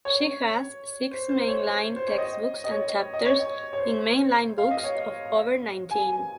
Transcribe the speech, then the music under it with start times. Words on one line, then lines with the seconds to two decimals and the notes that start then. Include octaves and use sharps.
She has six mainline textbooks and chapters in mainline books of over nineteen.
0.05 C#5
1.11 C5
1.29 C5
1.48 C#5
1.96 C5
2.07 C#5
2.18 D#5
2.64 D#5
2.71 C#5
3.14 D#5
3.25 C#5
3.73 C#5
3.78 C5
4.58 F5
4.71 D#5
4.84 C#5
5.91 G#5